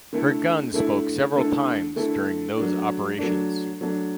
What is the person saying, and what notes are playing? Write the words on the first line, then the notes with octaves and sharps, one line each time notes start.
Her guns spoke several times during those operations.
D3 A3 E4 A4
D3 A3 E4 A4
D3 A3 E4 A4
D3 A3 E4 A4
F#3 A3 D4
F#3 A3 D4
F#3 A3 D4